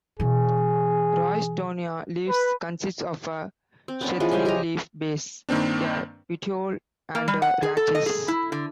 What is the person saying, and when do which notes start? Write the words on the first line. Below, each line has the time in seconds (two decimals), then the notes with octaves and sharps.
"Roystonea" leaves consist of a sheathing leaf base, a petiole, and a rachis.
0.20 B2 E3 G#4
2.28 B4
3.88 C4
4.01 B3 C#4 D5
4.20 E3 F3 G#3
4.31 C#3 C#4 C5 G#5
4.45 G4 D#5 G#5 A#5
5.49 G2 D#3 A#3 C4 D4
7.15 A#3
7.28 G3
7.42 F#5
7.63 G#4
7.77 A4
7.95 D#5
8.06 G#4
8.28 E4
8.52 D3